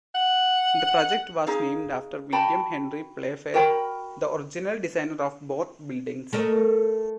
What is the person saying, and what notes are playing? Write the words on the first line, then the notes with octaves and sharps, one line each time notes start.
The project was named after William Henry Playfair, the original designer of both buildings.
F#5
D#4 G#4 F5
F#4 G5 A5 B5
F#4 A#4 G5 B5
A3 A#4 D#5